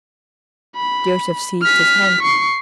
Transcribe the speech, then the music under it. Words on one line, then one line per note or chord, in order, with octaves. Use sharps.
Joseph seized his hand.
B5
F6 B6
C#6 C7